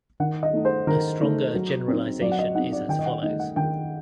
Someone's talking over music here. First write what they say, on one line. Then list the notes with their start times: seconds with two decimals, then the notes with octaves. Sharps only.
A stronger generalization is as follows.
0.20 D#3 F#5
0.43 D#5
0.53 A3 D#4
0.65 C5
0.87 D#3 A#4
1.21 A3 D#4
1.54 F#3
1.88 C4 D#4
2.21 F#3 D5
2.31 F#5
2.39 D#5
2.55 C4 D#4 F#5
2.72 D5
2.89 D#3 G5
2.99 D#5
3.06 F#5
3.22 A3 D#4 D#5
3.39 F#5
3.56 D#3 G5